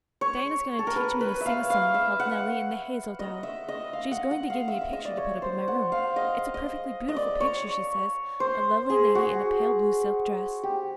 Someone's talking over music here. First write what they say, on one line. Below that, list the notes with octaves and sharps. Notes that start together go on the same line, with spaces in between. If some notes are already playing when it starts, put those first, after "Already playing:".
Diana is going to teach me to sing a song called 'Nelly in the Hazel Dell.' She's going to give me a picture to put up in my room; it's a perfectly beautiful picture, she says--a lovely lady in a pale blue silk dress.
C#5
A4
A#4
B4
B4
E5 F5
F5
E5
F#5
D#5
E5
D#5
F5
F#5
F#5
F5
E5
E5
D#5
D5
C#5
C5
F#5
F5
D#5
D#5
D#5
D5
C#5
C5
G#4
F#4
G4